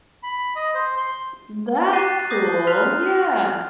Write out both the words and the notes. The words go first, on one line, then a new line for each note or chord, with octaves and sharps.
That's cool. Yeah.
B5
D#5
C5
C6
A#5 C#6 F#6 A6 C7 D#7
D6 D#6 G6 A#6 C7
C6 F6 F#6 B6 F7